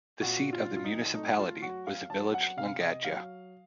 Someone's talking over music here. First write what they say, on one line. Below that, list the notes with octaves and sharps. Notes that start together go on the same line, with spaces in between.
The seat of the municipality was the village Langadia.
A#2 F#4
F4
F#3
F4
D#4
A3 D#4
F4
F#3 F#4
F5
F#3 A5
F#5
C3 F5
D#5
F#3 F5